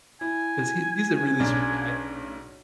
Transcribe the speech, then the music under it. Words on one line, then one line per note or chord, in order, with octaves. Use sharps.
'cause he he's a really sweet guy, and,
E4 G#5
B1 C#3 D4